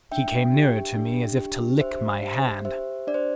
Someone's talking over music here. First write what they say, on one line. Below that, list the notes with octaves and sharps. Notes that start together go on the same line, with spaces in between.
He came nearer to me as if to lick my hand.
D4 E5 G5
G4
D4
G4
D4 C5 E5
G4
G4 C5 E5
D4 D5
C5